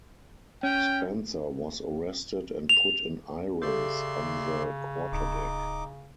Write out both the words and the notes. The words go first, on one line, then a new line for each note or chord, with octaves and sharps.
Spencer was arrested and put in irons on the quarterdeck.
C#4 G5
F7
C#3 G4 A4 D5 E5 C6
D1 D#4 D6